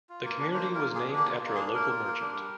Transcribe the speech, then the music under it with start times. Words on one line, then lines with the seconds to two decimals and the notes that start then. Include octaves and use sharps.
The community was named after a local merchant.
0.09 F4
0.24 A#3
0.40 D4
0.54 A#3 C5
0.69 F4
0.74 A#4
0.84 A#3
0.95 D4 G#4
1.14 A#3 G4
1.30 F4
1.45 A#3
1.55 D4 G#4
1.75 A#3 A#4
1.90 F4
2.05 A#3
2.20 D4
2.35 G3